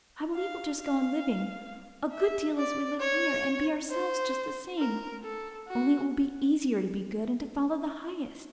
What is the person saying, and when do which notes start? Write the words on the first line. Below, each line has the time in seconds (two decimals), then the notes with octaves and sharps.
I believe we'll just go on living, a good deal as we live here--and be OURSELVES just the same--only it will be easier to be good and to--follow the highest.
0.35 F5
0.79 F5
2.12 E5
2.57 D5
3.01 C#5
3.90 C5
4.79 A#4
5.23 A4
5.68 F#4